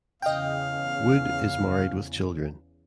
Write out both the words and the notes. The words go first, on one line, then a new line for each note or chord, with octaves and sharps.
Wood is married with children.
E2 C#3 D#5 F5 G5